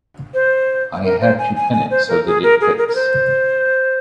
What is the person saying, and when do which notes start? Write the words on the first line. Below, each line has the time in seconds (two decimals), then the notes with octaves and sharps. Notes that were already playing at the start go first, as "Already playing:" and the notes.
I had to pin it so that it fits.
0.34 C5
1.04 A#4
1.21 C5
1.38 G#5
1.56 G#5
1.73 G#5
1.91 C5
2.08 A#4
2.26 G#4
2.43 A#4
2.61 G#4
2.78 A#4
2.88 A#4
2.95 C5